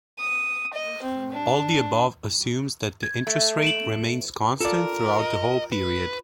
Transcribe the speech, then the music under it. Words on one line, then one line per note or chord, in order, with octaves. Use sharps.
All the above assumes that the interest rate remains constant throughout the whole period.
D#6
D#5
C4
D4
G#6
A3
D7 E7 F#7
F4 A4 A#4 D5
D#5
B4